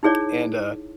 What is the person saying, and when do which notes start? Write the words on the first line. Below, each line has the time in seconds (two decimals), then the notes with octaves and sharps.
And, uh,
0.03 D#4 E4 G#4 C#5 D5